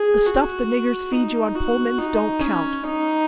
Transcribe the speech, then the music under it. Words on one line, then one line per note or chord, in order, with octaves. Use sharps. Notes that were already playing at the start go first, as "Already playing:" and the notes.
The stuff the niggers feed you on Pullmans don't count.
Already playing: G#4
F#4
D#4
F#4
D#4
C#4
D#4